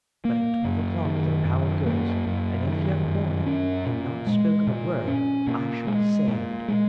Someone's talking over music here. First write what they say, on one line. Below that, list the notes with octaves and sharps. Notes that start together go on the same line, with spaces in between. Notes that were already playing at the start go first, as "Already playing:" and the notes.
But at twelve o'clock their power goes, and if you have borne it, and not spoken a word, I shall be saved.
A#3
F#2
D#3
F#2
A#3
F#2
D#3
F#2
C#4
A#2
G#3
A#2
C#4
A#2
G#3
A#2
G#3